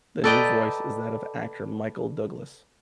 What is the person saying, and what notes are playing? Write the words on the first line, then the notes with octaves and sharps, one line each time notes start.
The new voice is that of actor Michael Douglas.
A4 B4 D5 D#5 G5 A#5